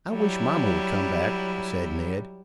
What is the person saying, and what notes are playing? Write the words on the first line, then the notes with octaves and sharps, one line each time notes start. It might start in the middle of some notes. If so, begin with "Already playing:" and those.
"I wish mamma would come back," said Ned.
F#3 G3 E4